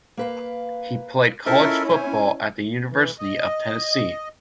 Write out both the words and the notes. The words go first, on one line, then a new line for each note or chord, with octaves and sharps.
He played college football at the University of Tennessee.
A#3 B4 F5
C#4 E4 F4 A4 A#4 C5 D#5 E5
C5 C#5 E5 G#5
E3
D#5